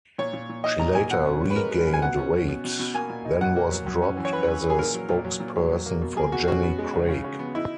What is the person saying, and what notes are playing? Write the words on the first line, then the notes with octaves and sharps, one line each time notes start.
She later regained weight, then was dropped as a spokesperson for Jenny Craig.
A#2 C#5
A#2
A#2
D#4 D#5
A#2 A#5
A#2 G#5
B2 F#5
C#4
C#4
B4
G#3 A#4
G#3
G#3
G#5
B2 F#5
C#4
C#4
B2
B2
B2
A#3 G#5
A#2
D#4
A#2 F#5
A#3
F#3
F#2
C#4
E3
C#5
E3 B4
E3
E3
G#4
A#2 A#4
F#3
A#2
F#3
A#2
F#3
F#3
A#3
B2
A#3 G#4
B2 F#4
C#4 F#4
B3
G#3
C#3
C#3
C#3
B3
D#4 E4